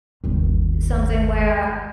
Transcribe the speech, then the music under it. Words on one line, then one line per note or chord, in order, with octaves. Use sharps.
something where
G1 D#2